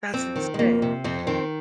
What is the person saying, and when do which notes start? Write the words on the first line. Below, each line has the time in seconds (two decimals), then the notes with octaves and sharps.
That's insane.
0.14 F2 C4
0.36 D#3
0.54 G#3
0.59 F2 A#3
0.82 C3
1.04 F2 C4
1.27 D#3 C4